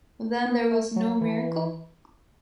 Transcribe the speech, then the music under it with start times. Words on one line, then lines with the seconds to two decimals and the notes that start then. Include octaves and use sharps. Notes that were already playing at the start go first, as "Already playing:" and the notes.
Then there was no miracle?
0.45 B3
0.71 A3
0.96 F#3
1.21 E3